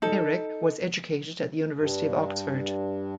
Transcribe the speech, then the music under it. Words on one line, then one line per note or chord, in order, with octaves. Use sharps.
Meyrick was educated at the University of Oxford.
D#4 A4
G2